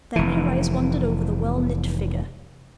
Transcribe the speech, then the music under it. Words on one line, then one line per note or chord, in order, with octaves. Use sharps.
Then her eyes wandered over the well-knit figure.
F1 E3